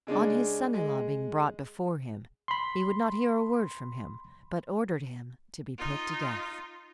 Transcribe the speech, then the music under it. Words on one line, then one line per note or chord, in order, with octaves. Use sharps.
On his son-in-law being brought before him, he would not hear a word from him, but ordered him to be put to death.
C#3 G#3 C#4 D4
G#3
B5 C6
D#4 F4